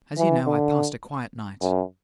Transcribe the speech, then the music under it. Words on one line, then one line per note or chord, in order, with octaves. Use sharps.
As you know, I passed a quiet night.
E3
D3
F#2